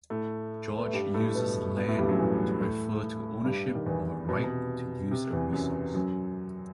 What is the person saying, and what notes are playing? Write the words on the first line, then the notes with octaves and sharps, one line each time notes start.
George uses "land" to refer to ownership of a right to use a resource.
A2 A3
B3
A3
G2 G3
A2 A3
B2 B3
B2 B3
A2 A3
G2 G3
F#2 F#3
E2 E3
A2 A3
G2 G3
D#3
E2 E3
B2
C3
B2
C3
E2 E3
F#2 F#3
F#2 F#3